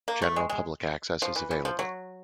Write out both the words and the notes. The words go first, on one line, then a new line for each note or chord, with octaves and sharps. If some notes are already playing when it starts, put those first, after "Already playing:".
General public access is available.
A#3
A3
G#3
G#3
F3
E3
E3
F3
F#3